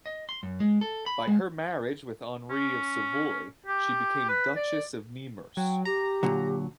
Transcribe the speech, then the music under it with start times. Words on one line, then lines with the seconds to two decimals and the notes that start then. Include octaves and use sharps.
By her marriage with Henri of Savoy, she became Duchess of Nemours.
0.06 D#5
0.29 C6
0.43 F#2
0.60 G#3
0.81 A4
1.06 B5
1.27 G#3
2.50 C#4
3.66 G4
4.29 B4
4.56 D5
5.57 F#3 G5
5.85 G4 A#5
6.23 A#2 D3 F#3